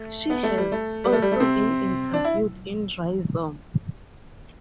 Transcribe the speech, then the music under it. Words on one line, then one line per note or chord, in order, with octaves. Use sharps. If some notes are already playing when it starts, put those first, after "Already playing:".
She has also been interviewed in Rhizome.
Already playing: A3
B3
A3
G3
A3
G3
A3
G3
A3
C3 C4
D4
E4